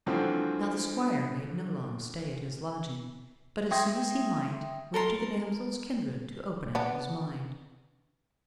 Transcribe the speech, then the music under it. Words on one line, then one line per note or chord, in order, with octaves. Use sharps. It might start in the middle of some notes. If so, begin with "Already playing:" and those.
Now the squire made no long stay at his lodging, but as soon as he might, went to the damsel's kindred to open out his mind.
G2 E3 F3 A3 C4 F#4
E5 G5 C6 D#6 G#6 A#6
A4 A#4 C6
B3 D4